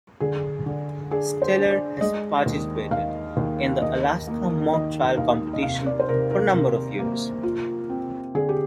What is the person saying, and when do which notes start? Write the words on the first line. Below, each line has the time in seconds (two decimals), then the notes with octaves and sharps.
Steller has participated in the Alaska Mock Trial Competition for a number of years.
0.20 D3 G#4
0.66 D3
1.11 D4 G#4
1.42 C5
1.57 D4
1.71 D5
2.01 G#3 D#5
2.46 D#2
2.91 D#2 F5
3.37 D#2
3.82 D#2 D#5
4.27 A#3
4.73 D#3 D#5
5.17 D#2 F5
5.53 D#5
5.63 C3 F5
5.86 D5
6.00 C5
6.09 C3 A#4
6.31 A#4
6.53 C3 A#4
6.99 A#3
7.43 F4
7.89 C4
8.35 D3 G#4
8.49 G4